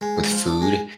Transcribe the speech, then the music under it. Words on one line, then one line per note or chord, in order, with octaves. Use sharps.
with food,
G#3
G#2
F3
D4
G#3